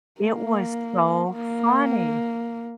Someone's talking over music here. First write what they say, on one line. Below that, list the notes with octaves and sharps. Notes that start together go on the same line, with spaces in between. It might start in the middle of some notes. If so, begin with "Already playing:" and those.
It was so funny.
A#3
A#3